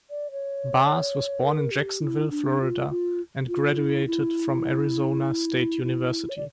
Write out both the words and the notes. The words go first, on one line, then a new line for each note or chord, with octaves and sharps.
Barrs was born in Jacksonville, Florida and graduated from Arizona State University.
D5
C#5
A#4
G4
E4
D4
F4
F4
F4
E4
E4
E4
C#5
D5